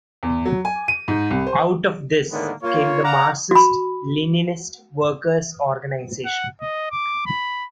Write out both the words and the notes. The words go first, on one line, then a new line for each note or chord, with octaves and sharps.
Out of this came the Marxist-Leninist Workers Organization.
E2
F#3
G#5
D#7
G#2
C2
C5
A2 D3 D#3 G#3 A#3 B3
A#3 F4 C#5
D5 F5 F#5 A#5
F#4 B5
F#5
D#5
D6
B5